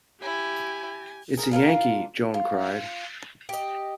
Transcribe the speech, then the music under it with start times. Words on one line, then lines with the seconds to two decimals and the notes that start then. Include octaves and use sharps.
It's a Yankee, Joan cried.
0.22 E4 G4 G#5
1.37 G#4 A#4
1.51 D4 F4 G#4 A#4
2.34 F4
3.49 G4 D#5